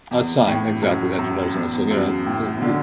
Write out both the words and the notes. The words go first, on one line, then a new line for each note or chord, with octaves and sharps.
A sign, exactly. That's what I was gonna say, you know.
E2
A2
F#2
F#2
E2
E2
F#2
A2
B2
D3